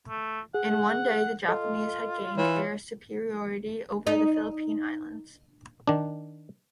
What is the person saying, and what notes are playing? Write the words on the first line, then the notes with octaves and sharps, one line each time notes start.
In one day, the Japanese had gained air superiority over the Philippine Islands.
A3
G#4 F#5
F4 A4 D#5
E3 C#5
D#4
D#3 D4